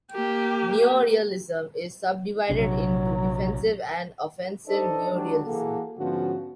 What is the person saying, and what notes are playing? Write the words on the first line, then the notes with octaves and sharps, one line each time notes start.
Neorealism is subdivided into defensive and offensive neorealism.
A#3 G4
A#1 C3 F#3 D4
D4 D#4 A4 C5 D5 D#5
F#3 G#3 D4 G4
E3 A#3 F#4 G#4 A4
G#2 D3 F3 B3 C#4 F#4